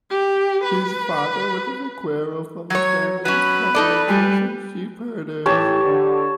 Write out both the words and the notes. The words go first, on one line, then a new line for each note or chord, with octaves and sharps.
His father was a "vaquero" from a family of cattle workers and sheepherders.
G4
B4
F#3 C#5 G#6
F#3 C#4 B4 B5
D#4 A4 D5
G3 G#5
A2 E3 G4 C#5 A5
D3